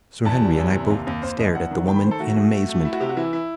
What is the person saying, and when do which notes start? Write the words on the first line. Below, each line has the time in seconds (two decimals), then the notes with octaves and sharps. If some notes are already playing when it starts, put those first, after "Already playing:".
Sir Henry and I both stared at the woman in amazement.
0.25 E2 A5
0.42 G3
0.58 E2
0.74 C3
0.90 D#2
1.07 D#2
1.22 D#2 C5
1.38 D#2 D#5
1.55 E2 F#5
1.71 D#3
1.87 D#3 G5
1.96 B5
2.04 D#3 C5
2.11 A4
2.19 A3 F#4
2.36 A3
2.52 A3
2.68 A3
2.85 E4
2.93 F#4
3.00 C3 G4
3.09 F#4
3.17 E3 E4
3.33 E4